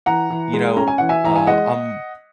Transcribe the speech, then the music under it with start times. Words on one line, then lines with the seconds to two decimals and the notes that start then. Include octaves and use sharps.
You know, uh, I'm
0.06 E3 F#5 A#5
0.30 E3
0.53 G#3
0.77 C#4 A#5
0.88 G#5
0.98 E3 F#5
1.09 E5 G#5
1.24 E3 A#5
1.36 G#5
1.47 G#3 D#5 F#5